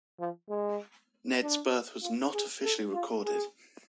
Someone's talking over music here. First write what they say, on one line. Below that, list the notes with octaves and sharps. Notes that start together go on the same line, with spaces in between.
Ned's birth was not officially recorded.
F3
G#3
D4
F4
G#4
A4
F4
G#4